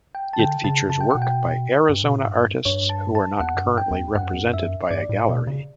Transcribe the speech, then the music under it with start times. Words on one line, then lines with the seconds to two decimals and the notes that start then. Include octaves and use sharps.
It features work by Arizona artists who are not currently represented by a gallery.
0.15 G5
0.33 A5
0.39 D3 G5
0.64 C#3 A5
0.89 C#3 A5
1.01 G5
1.11 B2 F#5
1.22 G5
1.89 G2
2.03 B2
2.15 A2
2.27 G2
2.65 G2 C#5
2.89 A5
3.15 A5
3.40 E2 F#5
3.55 F#2
3.65 G2
3.78 G5
3.91 E2
4.15 G2 F#5
4.23 F#2
4.33 E2
4.41 F#2
4.53 E5
4.91 G2 D5
5.09 A2
5.29 B2
5.47 C#3